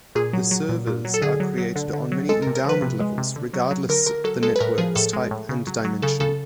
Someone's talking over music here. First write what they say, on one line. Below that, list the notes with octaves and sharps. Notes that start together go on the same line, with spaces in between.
The servers are created on many endowment levels regardless the networks type and dimension.
A#2 G#4
F#3
F#3
A#2
A#2
F#3
A4
D3 G#4
F#3
F#3
D3
D3
F#3
G#3 A4
A#4
C3
A#4
F3 B4
C3
G#3
C3
D3
F#3
F#3
D3 A#4
D3 A#4
F#3 A4
G#3 A4
B4
A2 A#4
F3 G#4
A2 A4
G#3
A2
C#3
F#3
F#3
C#3 A4
C#3 A4